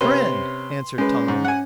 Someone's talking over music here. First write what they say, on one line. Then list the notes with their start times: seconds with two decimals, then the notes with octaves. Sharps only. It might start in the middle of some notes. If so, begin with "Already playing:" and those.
"Friend," answered Tom.
0.01 C3 C#4 B4 C6
0.98 G#3 C#4 B4
1.28 G#2
1.45 F#5 G#5